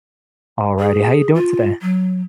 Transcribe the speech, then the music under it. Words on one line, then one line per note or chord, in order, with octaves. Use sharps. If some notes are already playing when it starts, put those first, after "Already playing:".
Alrighty. How you doing today?
G#4
F4
F#3